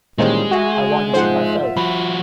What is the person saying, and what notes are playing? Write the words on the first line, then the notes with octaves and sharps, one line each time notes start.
I want to do it myself.
A#2 D#3 E3 G3 G#3 C#4 G#4 C5
F#4 G#4 E5 F#5 G#5
G#2 F3 F4 C5 E5 F#5
F3 F#4 B5